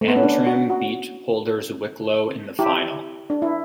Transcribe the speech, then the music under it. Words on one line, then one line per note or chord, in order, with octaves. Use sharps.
Antrim beat holders Wicklow in the final.
A3
B3
C#4
D4
F#4
F#4
E4 G4
D4
E4